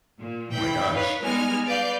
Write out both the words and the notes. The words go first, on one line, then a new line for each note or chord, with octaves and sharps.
Oh my gosh.
A#2
E3 G5 B5
D#4 B4 C#5 F5
G3 G#3 B3 D#4 G#5 F6
B4 D5 F5 G6